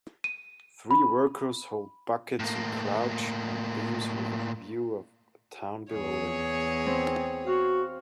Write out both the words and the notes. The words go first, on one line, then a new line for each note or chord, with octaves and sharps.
Three workers hold buckets and crouch on beams with a view of a town below them.
D#7
B5
A2 A#3
E2 G#4 C#5
C4
F#4 F5